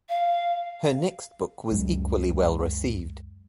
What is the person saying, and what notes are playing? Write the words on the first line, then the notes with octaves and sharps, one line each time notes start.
Her next book was equally well received.
F5
C#2 F#2 F#3 G#3